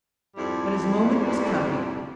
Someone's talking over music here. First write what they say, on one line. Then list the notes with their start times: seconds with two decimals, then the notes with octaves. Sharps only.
But his moment was coming.
0.37 F2 G#2 G3 E4